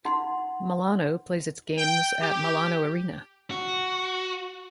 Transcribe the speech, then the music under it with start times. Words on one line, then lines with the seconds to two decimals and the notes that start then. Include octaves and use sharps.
Milano plays its games at Milano Arena.
0.05 D#4 F#5 C6
1.78 G5
2.21 G4
3.50 F#4